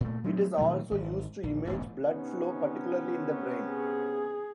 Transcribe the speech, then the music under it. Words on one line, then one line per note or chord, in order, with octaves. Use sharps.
It is also used to image blood flow, particularly in the brain.
A#2 A3
F#3 G#3 A3 C4
A#2 D#3 F#3 A3
G#1
A#1
E1 A1 G#2
C3 B3 C#4 D#4
G#4